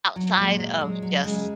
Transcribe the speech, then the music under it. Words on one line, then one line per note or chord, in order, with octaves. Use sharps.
outside of just
F#3
A#2 G#3
A#2
F#3 G#3
F#3
C#3 G#3